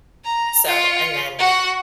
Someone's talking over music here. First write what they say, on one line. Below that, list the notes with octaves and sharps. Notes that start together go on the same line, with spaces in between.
So and then,
A#5
F4 C#7
F#4 F#5